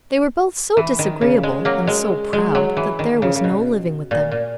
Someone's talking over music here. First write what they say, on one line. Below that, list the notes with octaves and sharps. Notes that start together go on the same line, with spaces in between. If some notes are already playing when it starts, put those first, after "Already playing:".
They were both so disagreeable, and so proud, that there was no living with them.
E3
D#3
C#3
G#3
F#3 A#3
G#3
G#3
F#3
E3
D#3
C#3
C#3
B2
A#2
A#2